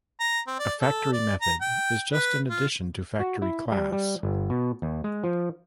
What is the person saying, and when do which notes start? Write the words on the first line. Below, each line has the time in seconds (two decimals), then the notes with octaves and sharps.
A factory method is just an addition to Factory class.
0.20 A#5
0.47 C4
0.59 D5
0.81 A4
1.13 D5
1.41 A#5
1.61 G5
2.12 B4
2.50 F4
3.20 F#4
3.42 E4
3.72 G3
3.92 G3
4.23 G1
4.50 B2
4.82 D#2
5.04 G#3
5.24 F3